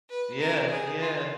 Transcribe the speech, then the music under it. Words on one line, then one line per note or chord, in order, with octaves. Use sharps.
Yeah, yeah.
B4
A#4
G#4
F4